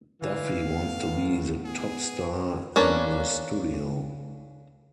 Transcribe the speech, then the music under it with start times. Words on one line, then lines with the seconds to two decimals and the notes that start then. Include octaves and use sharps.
Daffy wants to be the top star in the studio.
0.22 D3 E3 F5
0.63 A2 B3
1.65 G#4
2.76 A#3 C#4 D4 B4